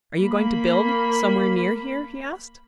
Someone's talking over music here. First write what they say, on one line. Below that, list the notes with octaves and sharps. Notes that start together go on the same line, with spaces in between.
"Are you going to build somewhere near here?" he asked.
A#3 B5